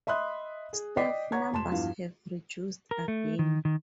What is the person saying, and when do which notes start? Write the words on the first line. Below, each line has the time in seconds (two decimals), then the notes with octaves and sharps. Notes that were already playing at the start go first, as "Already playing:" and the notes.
Staff numbers have reduced again.
0.07 D#5 E5 B5 C6 D#6 F#6
0.73 G#4
0.97 D5 D#5 G5 D6 B6 C7
1.32 C#5 F#5 A#5 C#6 G#6
1.53 F1 A5 C6 E7
1.71 E2 G2 F3 G3 F5
2.91 A#4
3.08 A3
3.39 D#3
3.65 D#3